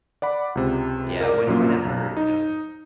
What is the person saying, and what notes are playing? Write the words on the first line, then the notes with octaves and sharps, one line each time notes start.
Yeah, when whenever, you know
D5 F#5 B5
C#2 C3
A#4 D5
A#1 F#2 A#3 F4
B1 A#5
D#4